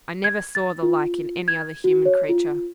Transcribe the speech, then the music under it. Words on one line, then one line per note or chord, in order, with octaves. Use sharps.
I never saw the like in any other human creature.
G#6
A6
F4
G#6
F#4
C#5
F4